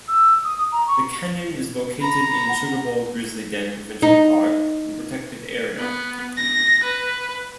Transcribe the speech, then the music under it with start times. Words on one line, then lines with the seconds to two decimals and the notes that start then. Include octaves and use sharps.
The canyon is located in Sugarbowl-Grizzly Den Provincial Park and Protected Area.
0.08 E6
0.45 D#6
0.72 A#5
0.87 C#6
2.01 A#5 B5
2.48 F#5
4.02 D#4
5.78 B3
6.37 A#6
6.83 B4